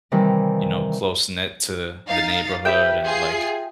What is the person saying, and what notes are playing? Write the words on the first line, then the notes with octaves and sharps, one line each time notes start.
you know, close-knit to the neighborhood and, like,
C3 D#3 E3 G3
D#4 F5 A6
G4 B4 E5 G5
F4 G#4 C7